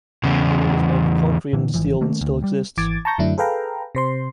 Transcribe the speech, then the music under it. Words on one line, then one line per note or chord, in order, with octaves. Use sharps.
The other was made of concrete and steel and still exists.
E2 C#3
A#2 D3 E3
G#1 D2 E3 F3
D#3 A3 A#3 C#4
D2
G3
G#1 E3 D6 G#6 A6
A5 A#5 C#6 G6 A#6
F#2 D3 F#3 A3 D4 E4
G#4 A4 B4 F5 G5 A#5
C3 C5 C6